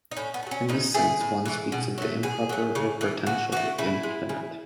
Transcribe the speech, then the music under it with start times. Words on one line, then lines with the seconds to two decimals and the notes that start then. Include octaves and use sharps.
In this sense one speaks of the improper or potential infinite.
0.11 D#4
0.17 A2 C#4
0.34 B3
0.43 A3
0.47 F#3 C#4
0.69 A2 D#4
0.94 E3 A3 G#4
1.20 A2
1.46 E3 A3
1.72 B2
1.98 F#3 A3
2.23 B2 G#4
2.49 F#3 A3
2.75 C#3
3.01 E3 A3
3.26 C#3 F#4
3.52 E3 A3 F#4
3.78 C#3 E4
4.03 G#3
4.29 C#3